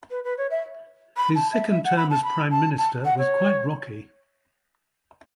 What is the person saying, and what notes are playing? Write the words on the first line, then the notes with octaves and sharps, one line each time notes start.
His second term as Prime Minister was quite rocky.
B4
B4
C#5
E5
B5
A5
E5
E5
F#5
B5
A5
B5
A5
A5
F#5
C#5